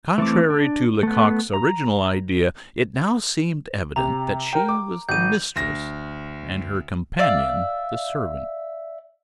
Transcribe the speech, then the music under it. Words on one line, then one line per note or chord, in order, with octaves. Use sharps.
Contrary to Lecoq's original idea, it now seemed evident that she was the mistress, and her companion the servant.
E3 A3 C4 D6
D4
A3 B3
A#5
C3 A#5
A#4 G5
D6
G#1 G6 D#7
D2 A#6
D5 E5 F5